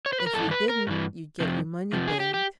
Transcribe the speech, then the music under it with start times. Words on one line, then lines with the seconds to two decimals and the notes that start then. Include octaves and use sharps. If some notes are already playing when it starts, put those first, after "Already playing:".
"If we didn't you'd get your money back."
0.06 C#5
0.13 C5
0.20 B4
0.27 A#4
0.34 G2 E3 A4
0.51 B4
0.69 A#4
0.87 G2 E3
1.40 F2 C3 F3
1.93 F2 C3 F3
2.08 G#4
2.20 G4
2.34 G4